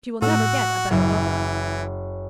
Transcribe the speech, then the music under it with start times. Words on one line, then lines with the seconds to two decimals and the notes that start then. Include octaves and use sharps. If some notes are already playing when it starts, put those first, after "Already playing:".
"She will never get a better lover."
0.22 A2 F#4 E6
0.91 F#1 E3 A#6